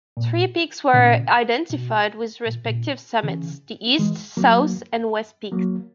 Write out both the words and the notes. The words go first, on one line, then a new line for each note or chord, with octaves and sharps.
Three peaks were identified with respective summits: the East, South, and West peaks.
A#2
A#2 C#3
B2
A#2
A#2 C#3
C#3 E3
E3 G#3
F#3 A#3
F#3 A#3